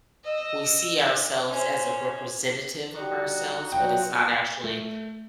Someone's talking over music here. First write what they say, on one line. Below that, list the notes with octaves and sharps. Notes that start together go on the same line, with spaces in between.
we see ourselves as a representative of ourselves, but it's not actually
D#5 E6
C#4 C5
G3 D#4 F#4
F#3 G3 F4 G5
A3